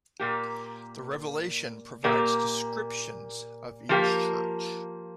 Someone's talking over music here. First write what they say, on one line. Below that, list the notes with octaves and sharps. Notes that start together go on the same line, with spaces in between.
The Revelation provides descriptions of each Church.
A#2 A#3 G4
A#2 A#3 G4
F3 A#3 G4